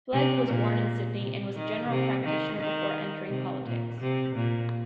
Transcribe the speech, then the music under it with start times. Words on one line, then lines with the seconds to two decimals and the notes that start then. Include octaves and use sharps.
Flegg was born in Sydney and was a general practitioner before entering politics.
0.13 C3
0.48 A#2
1.18 C3
1.54 D#3
1.89 C3
2.24 D#3
2.59 D#3
3.30 C3
3.65 A#2
4.01 C3
4.36 A#2